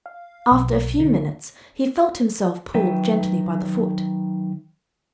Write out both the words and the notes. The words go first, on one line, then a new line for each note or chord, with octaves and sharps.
After a few minutes he felt himself pulled gently by the foot.
F5
B1
D3
D#3 F#3 B4 E5 G5